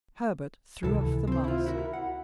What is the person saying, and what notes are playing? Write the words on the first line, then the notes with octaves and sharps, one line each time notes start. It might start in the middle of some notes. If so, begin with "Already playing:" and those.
Herbert threw off the mask.
C#2 C3 D#3 E3 A4
C4 C5
E4 F4
E4 F#4 A#4
F#5